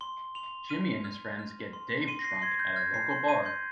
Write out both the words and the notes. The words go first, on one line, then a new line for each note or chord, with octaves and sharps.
Jimmy and his friends get Dave drunk at a local bar.
C6 G7
C6 F7
F6 D#7
F6
F6
C6
C6 D#7
A#6
C7
C6 G#6
G6
F6 G#6
C7
C6
D#7
C6 G6